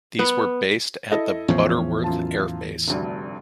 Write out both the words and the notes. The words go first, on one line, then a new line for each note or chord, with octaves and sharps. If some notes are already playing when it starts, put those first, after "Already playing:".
These were based at the Butterworth Air Base.
B3
E4 A4 D#5
E2 A2 F3 C#4
F#2 F4 A5
F1 D2 G2